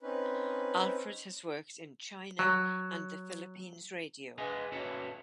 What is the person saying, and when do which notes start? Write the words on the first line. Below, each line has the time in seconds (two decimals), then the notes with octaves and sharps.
Alfred has worked in China and the Philippines Radio.
0.02 C4 C#4 D#4 B4
2.39 F#3
4.38 G#4 B4 D#5 G#5
4.72 C#4 F#4 A4 B4 C#5